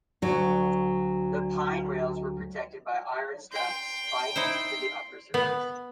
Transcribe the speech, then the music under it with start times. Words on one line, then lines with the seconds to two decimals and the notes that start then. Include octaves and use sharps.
The pine rails were protected by iron straps spiked to the upper surface.
0.22 D2 F#3
3.53 G5 C6
4.36 D#4 E4 C5 C6
5.34 B3